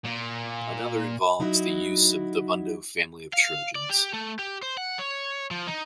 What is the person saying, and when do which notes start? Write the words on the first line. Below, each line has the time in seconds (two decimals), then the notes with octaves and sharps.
Another involves the use of the Vundo family of trojans.
0.05 A#2
1.40 F#3 D#4 E4 F#4
3.33 F5
3.75 D5
3.90 G4
4.13 A3
4.39 G4
4.63 C5
4.77 F#5
4.99 C#5
5.51 F3
5.67 D#4